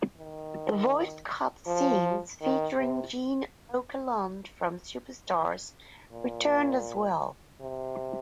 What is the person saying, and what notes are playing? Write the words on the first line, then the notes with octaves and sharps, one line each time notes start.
The voiced cut scenes featuring Gene Okerlund from "Superstars" returned as well.
D#3
F3
D#3
C3
A#2
C3